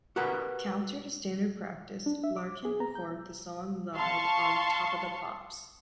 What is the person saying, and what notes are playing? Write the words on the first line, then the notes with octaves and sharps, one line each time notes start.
Counter to standard practice, Larkin performed the song live on "Top of the Pops".
F#4 G4 A#4 B4 F#5
D4
E5
D6
G#4
A#5
G6
F5 A5 C6 C#6